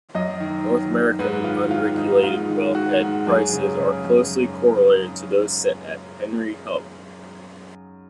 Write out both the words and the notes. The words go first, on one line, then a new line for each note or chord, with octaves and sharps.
North American unregulated wellhead prices are closely correlated to those set at Henry Hub.
F#2 D#5
D#3
D#3
F#2
G#2 B4
D#3 F4
D#3 F4
G#2 D#4
G#2 F4
D#3
D#3 F#4
G#2
F#2 G#4
C#3
C#3
F#2